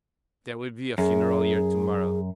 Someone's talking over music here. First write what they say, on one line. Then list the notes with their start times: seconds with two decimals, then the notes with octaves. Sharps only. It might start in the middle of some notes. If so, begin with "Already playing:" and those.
"There will be a funeral here to-morrow."
0.98 F#2 G#4